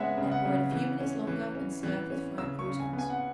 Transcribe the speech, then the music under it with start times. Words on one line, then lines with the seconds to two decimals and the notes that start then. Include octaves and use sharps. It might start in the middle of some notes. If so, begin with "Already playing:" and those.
Let boil a few minutes longer and serve with fried croutons.
Already playing: C#3 G#3 B3 C#5 E5 F#5 G#5
0.18 C#3
0.32 F#5
0.45 C#3
0.72 E3
1.00 C#4
1.27 E3
1.55 C#4
1.83 E3
2.10 C#4
2.38 C#3 E6
2.59 C#6
2.66 C#3
2.80 G#5
2.93 B3
2.99 G#5
3.10 F#5